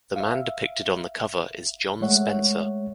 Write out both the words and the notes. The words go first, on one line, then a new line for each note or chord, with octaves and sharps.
The man depicted on the cover is Jon Spencer.
E5 F5
G#3 A3 C#5 E5 F#5